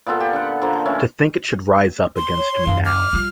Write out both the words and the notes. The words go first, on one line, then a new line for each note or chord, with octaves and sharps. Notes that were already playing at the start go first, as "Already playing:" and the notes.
To think it should rise up against me now!
A#2 B3 F4 A4
G4
D3 F#5
D3 F3 A#3
A2 E3 C#4
C6
C#5
C#5
F#2 F5
D6 F6
G3 F4